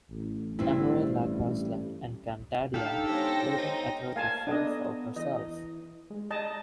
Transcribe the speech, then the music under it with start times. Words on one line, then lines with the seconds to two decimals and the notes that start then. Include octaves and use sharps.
Emre likewise left Encantadia, leaving Ether to fend for herself.
0.10 A1
0.59 G2 C4 E4
2.74 D4 D#4 G4 A4 F5
3.07 G#3 B3 C5 C#5 G5 A#6
3.58 D#4
4.16 A#3 F5 G#5 A5
4.47 B3 D4 A4 D#5
5.16 E3 D#5
6.10 G#3
6.31 D#5 A5